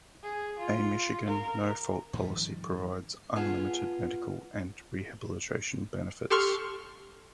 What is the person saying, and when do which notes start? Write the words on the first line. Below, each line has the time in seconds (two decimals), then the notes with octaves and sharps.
A Michigan no-fault policy provides unlimited medical and rehabilitation benefits.
0.23 G#4
0.59 F4
1.27 A#4
2.13 G#2 D#3 F3 G3
3.36 B3 F4 G#4 F5 G#5 A5
6.30 G4 A4 C6 C#6 F6